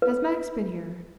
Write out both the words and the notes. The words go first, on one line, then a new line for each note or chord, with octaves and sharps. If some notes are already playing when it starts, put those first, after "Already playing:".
"Has Max been here?"
B4